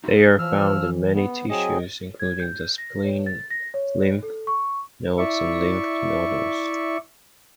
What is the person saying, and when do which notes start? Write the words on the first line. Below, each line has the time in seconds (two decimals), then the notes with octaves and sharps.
They are found in many tissues including the spleen, lymph nodes and lymph nodules.
0.04 D#4 E4 F#4
0.17 G#4
0.39 E3 F3 E6 F6
1.14 B3
1.50 F#3 C4 G#4 D#5
2.20 G#6
2.40 G6
2.78 A#6
3.04 C#5
3.26 A6
3.50 A#6
3.74 C#5
4.23 A4
4.47 C#6
5.18 E4 D5 E5 C#6